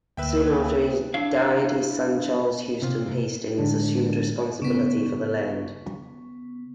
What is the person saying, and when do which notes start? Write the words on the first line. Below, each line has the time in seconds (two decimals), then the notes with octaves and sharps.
Soon after he died, his son, Charles Houston Hastings, assumed responsibility for the land.
0.17 D2 A#3 B4 E5 G5 E6
1.14 D4 E4 C#5 F5
2.82 C3 F4
3.58 A2 D3 G#3 D4 G4
4.62 C#3 B3